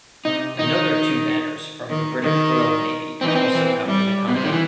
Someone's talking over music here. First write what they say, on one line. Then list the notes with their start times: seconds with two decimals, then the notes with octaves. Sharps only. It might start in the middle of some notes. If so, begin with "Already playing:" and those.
Another two banners from the British Royal Navy are also held in the convent.
0.25 C3 D#4
0.58 D#3 D#4
1.89 D#3
2.22 D#3
3.21 E3 C4
3.28 D#4
3.35 C4
3.53 E3
3.86 G3
4.28 B2
4.36 C3
4.44 D#3
4.52 E3